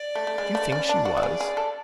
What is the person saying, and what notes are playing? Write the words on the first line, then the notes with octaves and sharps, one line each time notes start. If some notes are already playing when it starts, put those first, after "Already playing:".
Do you think she was?
Already playing: D5
A3
A3
G#3
A3
C#4
D4
F#4
F#4
G#4
G#4
A4